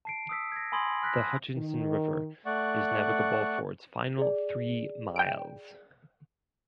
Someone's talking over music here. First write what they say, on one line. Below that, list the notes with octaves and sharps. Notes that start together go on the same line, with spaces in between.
The Hutchinson river is navigable for its final three miles.
A5 C7 D7
D#6 E6 B6
G#6 A#6
G#5 B5 C6 D#6 G#6 F#7
F6 F#6 A#6 B6
D#3
A3 D5 F#5 C#6
G#4 D5
G5 D7